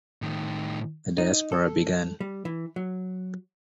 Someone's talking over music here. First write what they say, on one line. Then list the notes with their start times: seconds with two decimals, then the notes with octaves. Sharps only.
The diaspora began.
0.22 A2 D#3
1.18 D#4
1.52 A4
2.20 G3
2.45 E3
2.76 F#3